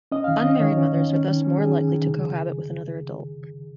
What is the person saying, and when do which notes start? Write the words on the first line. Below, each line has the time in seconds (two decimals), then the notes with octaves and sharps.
Unmarried mothers are thus more likely to cohabit with another adult.
0.12 C#4 D#5
0.24 D#3 F5
0.37 D#5
0.45 C#4
0.60 D#3 C#5
0.77 C#4
0.94 D#3
1.10 C#4
1.26 D#3
1.42 C#4
1.58 D#3 G#4
1.74 C#4
1.91 D#3
2.07 C#3